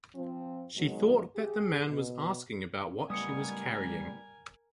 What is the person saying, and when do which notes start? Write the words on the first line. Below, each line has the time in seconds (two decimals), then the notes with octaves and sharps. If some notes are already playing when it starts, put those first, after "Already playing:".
She thought that the man was asking about what she was carrying.
0.14 F3 C4
0.75 B2 D#3 F#3 G#3
1.34 G4 G#4
1.87 B2
3.10 C#2 A2 G3 B3 A#4 G#5 D#6 C#7